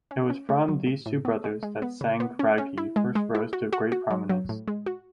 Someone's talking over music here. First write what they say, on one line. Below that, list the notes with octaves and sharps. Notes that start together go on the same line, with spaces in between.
It was from these two brothers that Sengge Ragi first rose to great prominence.
C#4
C#4
A3
F#3
A2
A2
B3
G#3
G#3
B3
C#3
B3
C#4
C#4
E4
G#3
G#3
E4
F#4
F#4
F#4
F#3
F#3
A2
G#3
F#4